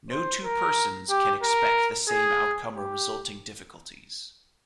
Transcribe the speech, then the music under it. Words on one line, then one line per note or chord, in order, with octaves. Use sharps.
No two persons can expect the same outcome or resulting difficulties.
C5
A#4
G4
A#4
G#4
G4